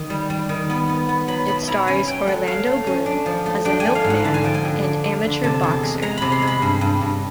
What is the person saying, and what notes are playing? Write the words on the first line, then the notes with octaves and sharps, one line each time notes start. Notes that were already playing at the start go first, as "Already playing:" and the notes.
It stars Orlando Bloom as a milkman and amateur boxer.
Already playing: D#3
G3
G3
D#3
B3
B3
B3
F#3 B5
B2 B5
E4 A#5
C#4 G#5
F#3 G5
A3 F#5
F#3 F5
A3
C#4
D4
F3
A3
D4 G5
G#5
A3
F5
G#2
F#5
D3 A5
G#5
F3 G5
G#5
D3
D4
D4
D3
C3 A5
E2
G#3
G#3 A#5
C3 B5
C6
G#3
B5
G2
G2
G2